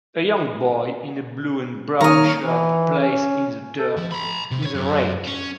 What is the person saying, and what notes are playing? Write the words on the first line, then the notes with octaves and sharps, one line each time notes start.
A young boy in a blue and brown shirt plays in the dirt with a rake.
D#3 A#3 D#4 C#5 A#5 D#6 F6
E3
C#4
A4
F3
A#5 B5
C3
B4 C#5
F#2
C#4